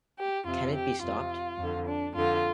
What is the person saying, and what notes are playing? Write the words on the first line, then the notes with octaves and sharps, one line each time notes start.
Can it Be Stopped?
G4
F2 C3 F4
G4
F2 C3 F4
F2 D3
D4
F2 D3 F4